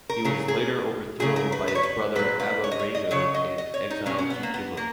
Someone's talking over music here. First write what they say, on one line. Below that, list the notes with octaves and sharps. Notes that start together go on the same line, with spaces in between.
He was later overthrown by his brother Abba Rago and exiled to Jimma.
A#4
C#3 F#3 G#4
G#4
C#3 F#3 G#4
A#4
B4
B4
C#5
B4
A#2 F#3 B4
B4
C#5
D#5
C#5
D#5
C#3 F#3 C#5
D#5
D#5
C#5
D#4
B2 F#3 C#4
C#4
B3
A#3
B3
A#3